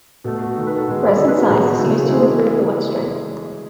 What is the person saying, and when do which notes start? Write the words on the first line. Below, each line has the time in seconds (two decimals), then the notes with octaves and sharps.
Resin size is used to improve the wet strength.
0.24 B2 A3 F#4 A4
0.40 F#4 A4
0.56 D#3 A3 A4
0.67 B4
0.77 F#4 A4
0.87 B2 G#3
1.17 D#3 G#3 A4 C#5
1.28 G#4 B4
1.37 F#4 A4
1.47 B2 G#3 F#4
1.79 C#3 F#3 A3 E4 G#4
2.09 E3 G#3